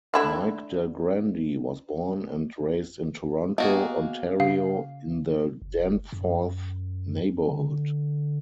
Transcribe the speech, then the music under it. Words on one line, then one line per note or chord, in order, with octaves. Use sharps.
Mike Del Grande was born and raised in Toronto, Ontario in the Danforth neighbourhood.
D3 E4 F#5
A#3 B3 F#4 G#4 D#5
C#3 F5
F#1
F#2
D3